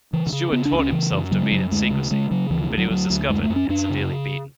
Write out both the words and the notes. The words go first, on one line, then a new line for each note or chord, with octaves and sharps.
Steward taught himself to read in secrecy, but he was discovered and severely beaten.
C#3 E3
D3
C#3
C#3 B3
D4
C#2
C#4
C#3 E3
F#2
C#3 F#3
G#3
F#2 F#3
D2 G#3
C#3
C#3 G#3
C#3 F#3
D2 E3
E3
D2
F#3
D2 F#3
D2
F#2 G#3
A3
F#2
C#4
F#2 D4
C#3